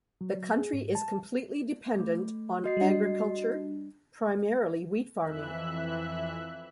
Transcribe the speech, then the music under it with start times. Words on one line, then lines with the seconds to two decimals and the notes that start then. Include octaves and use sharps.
The county is completely dependent on agriculture, primarily wheat farming.
0.21 F#3
0.58 G#4
0.73 G#2
0.95 A5
1.99 A3
2.64 F#4 D#5 C7
2.77 G3 D4
5.21 F2 E3 E5 F#6